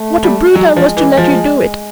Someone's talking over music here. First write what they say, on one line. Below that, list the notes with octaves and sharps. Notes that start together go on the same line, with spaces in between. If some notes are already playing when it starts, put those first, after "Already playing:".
What a brute I was to let you do it!
Already playing: A3
G3
F#3 G#3
F3
E3
F3